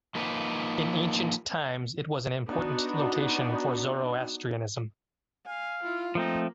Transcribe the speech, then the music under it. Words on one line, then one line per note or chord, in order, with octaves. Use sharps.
In ancient times it was an important location for Zoroastrianism.
F3 A#3 D#4 B4
B3 D4 D#4 F#4
F5 G#5
E4 F4
F3 A3 A#3 C4 D#4